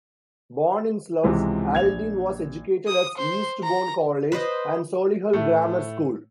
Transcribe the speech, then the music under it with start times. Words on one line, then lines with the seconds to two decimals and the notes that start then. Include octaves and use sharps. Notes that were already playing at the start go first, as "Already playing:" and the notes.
Born in Slough, Aldin was educated at Eastbourne College and Solihull Grammar School.
1.23 C#2 C3 E3 F3 G#3
1.73 A#1 G#6 F7
2.88 D#6
3.18 C5
3.63 A#5
4.32 B4 C5 D5 D#5
5.33 A2 A3